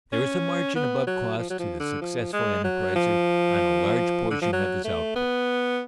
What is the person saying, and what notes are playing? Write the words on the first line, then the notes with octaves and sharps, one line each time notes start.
There is a margin above costs to the successful enterpriser on a large portion of his output.
C#4
B3
F#3
F3
F#3
F3
D3
F3
G#3
F#3
F3
D3
F3
F#3
A3
B3